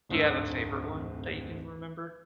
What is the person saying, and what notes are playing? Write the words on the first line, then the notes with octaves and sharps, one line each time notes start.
Do you have a favorite one that you can remember?
D1 F2 G#2 A3 D4 E6